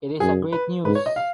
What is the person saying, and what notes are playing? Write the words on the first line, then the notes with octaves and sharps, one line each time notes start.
It is a great news.
F#2 G#4
B4
G#2 B4
C#5
D#5
F5